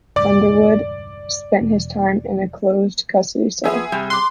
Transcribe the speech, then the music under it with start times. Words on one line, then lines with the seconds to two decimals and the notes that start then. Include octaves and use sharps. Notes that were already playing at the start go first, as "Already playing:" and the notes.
Underwood spent his time in a closed custody cell.
0.16 E1 C#2 G2 D5 D6
1.61 E1
3.64 F3 B3 G#4 E5
3.92 C3 G3
4.10 C6 D6 F#6